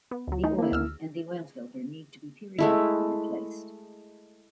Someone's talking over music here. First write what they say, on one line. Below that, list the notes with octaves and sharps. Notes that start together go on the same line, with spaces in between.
The oil and the oil filter need to be periodically replaced.
B3
D2 F#3
E3 A3 D#4
A#3 E4
D2 E6 F6
G#3 A3 E4